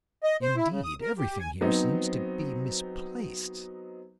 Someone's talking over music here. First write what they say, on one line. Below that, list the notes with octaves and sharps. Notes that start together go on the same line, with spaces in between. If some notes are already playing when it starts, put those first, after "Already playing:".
Indeed, everything here seems to be misplaced.
D#5
C5
E4
C#3
D#6
A#4
G4
G#5
F#3 B3 C4 D#4 C5